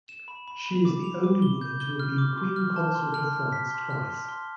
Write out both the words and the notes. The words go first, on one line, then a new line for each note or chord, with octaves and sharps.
She is the only woman to have been queen consort of France twice.
E7
B5
B5
B5
D6
F7
D6
G7
G6
G7
F6
D6
D6
F6
A5
C6
F6
F6
B6
C6
F6
C6
C6